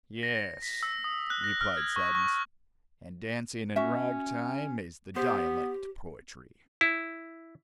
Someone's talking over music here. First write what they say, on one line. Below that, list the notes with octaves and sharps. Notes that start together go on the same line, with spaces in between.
"Yes," replied Sadness, "and dancing in rag-time is the dialect poetry."
A#6
B6
E6
D#6
F#6
A#6
F6
G#6
C#6
C#6
C#4 F#4 E5
B3 G4 C5
E4